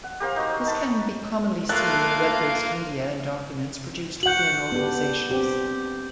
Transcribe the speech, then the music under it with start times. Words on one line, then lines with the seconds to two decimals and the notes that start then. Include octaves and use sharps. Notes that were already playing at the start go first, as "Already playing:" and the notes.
This can be commonly seen in web-based media and documents produced within organisations.
0.04 F#5
0.20 G4 A#4 C5 F5
0.36 D#4 F#4 C6
0.65 D#4 A5 B5
1.69 A3 A#3 F4 F5 F#6
4.23 F#4 F#5 G6 F#7
4.72 B3 D4 G4
5.31 C4 G4